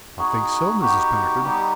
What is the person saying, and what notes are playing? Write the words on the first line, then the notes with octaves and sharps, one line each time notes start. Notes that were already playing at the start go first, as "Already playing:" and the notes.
"I think so, Mrs. Packard."
B3 D#4 F#4 G#4
B3 D#4 F#4 G4
G3 B3 D#4 G4